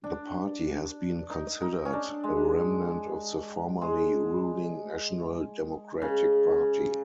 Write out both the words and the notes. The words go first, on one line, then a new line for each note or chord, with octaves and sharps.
The party has been considered a remnant of the formerly ruling National Democratic Party.
D4
D#4
D#4
C#4
D4
G#3
G#3
C#3